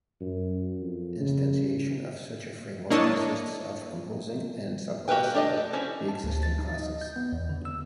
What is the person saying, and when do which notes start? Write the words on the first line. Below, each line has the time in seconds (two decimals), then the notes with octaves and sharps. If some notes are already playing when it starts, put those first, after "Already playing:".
Instantiation of such a framework consists of composing and subclassing the existing classes.
0.21 F#2
0.80 F2
1.20 C#3
2.90 A#3 D4 E4 C#5 D#5 A5
5.08 F#4 G4 A#4 B4 G5
5.34 A3 D4 G4 D5 D#5
5.57 A4
5.73 C#4 E4 C5
6.08 A5
6.24 D2
6.43 A6
6.59 D#4
6.74 D#5
7.01 G6
7.16 B3
7.32 E2
7.49 D3
7.65 E6